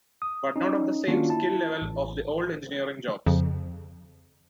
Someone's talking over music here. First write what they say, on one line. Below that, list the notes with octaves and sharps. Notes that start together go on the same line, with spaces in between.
But not of the same skill level of the old engineering jobs lost.
D#6
C#4 D#4
D#3 A#3 C#4 D4 F4 F#4
E4 A5
A1
F2 C#3 F3